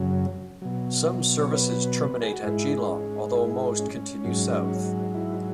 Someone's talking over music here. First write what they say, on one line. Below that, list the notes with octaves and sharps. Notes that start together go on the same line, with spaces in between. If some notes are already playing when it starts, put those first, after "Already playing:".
Some services terminate at Geelong, although most continue south.
Already playing: F#2 C#3 F#3
B2 F#3
C#5
B4
G#4
F#4
G#2 G#3 E4
C#4
E4
C#4
G#2 F#3
E4